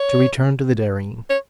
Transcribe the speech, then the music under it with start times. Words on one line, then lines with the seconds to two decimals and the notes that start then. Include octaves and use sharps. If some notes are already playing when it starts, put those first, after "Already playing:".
To return to the dairying.
Already playing: C#5
1.30 C#5